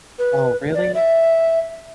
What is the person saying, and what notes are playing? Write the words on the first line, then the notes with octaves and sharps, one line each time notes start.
Oh, really?
B4
D5
E5